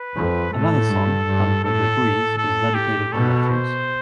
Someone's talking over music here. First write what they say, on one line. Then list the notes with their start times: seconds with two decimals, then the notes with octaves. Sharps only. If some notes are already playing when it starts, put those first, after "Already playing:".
Another song, "Gone With the Breeze," is dedicated to Mathews.
Already playing: B4
0.16 F2
0.53 A2 A4
0.90 G2
1.27 G2
1.64 A2 A4
2.01 A2
2.38 A4
2.75 G4
3.12 B2 A4
3.50 C5